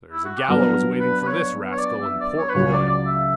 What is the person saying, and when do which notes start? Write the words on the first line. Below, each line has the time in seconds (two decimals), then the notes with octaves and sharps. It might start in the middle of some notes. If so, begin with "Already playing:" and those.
"There's a gallows waiting for this rascal in Port Royal."
0.12 E4
0.25 F#4
0.37 G4
0.48 G2 F#3 B3 D4 A#4
1.00 B4
1.21 B4
1.27 C#5
1.72 C#5
1.78 D5
2.03 E5
2.21 D5
2.38 C#5
2.49 B4
2.54 C#2 C#3 F#3 C#5
2.72 D5
2.89 D5
3.06 E5